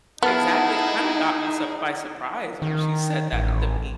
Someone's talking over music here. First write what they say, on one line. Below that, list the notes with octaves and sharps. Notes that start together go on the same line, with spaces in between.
Exactly. It kinda got me surp by surprise when she said that to me.
B3 D#4 E4 G#4 F#5 A5 F6
D#3
A1